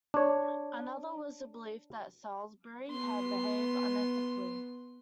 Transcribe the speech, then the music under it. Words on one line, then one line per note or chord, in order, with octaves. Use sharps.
Another was the belief that Salisbury had behaved unethically.
D4 C#5
B3 C6